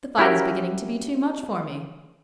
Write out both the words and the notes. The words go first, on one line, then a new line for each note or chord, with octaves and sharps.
The fight is beginning to be too much for me.
C#4 E4 F#4 G4 A#4